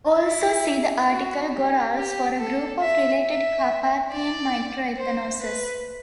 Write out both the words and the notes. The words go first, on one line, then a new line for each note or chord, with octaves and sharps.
Also see the article Gorals for a group of related Carpathian microethnoses.
E4
F#4
G4
G4
A4
E5
E5
D5
C5
B4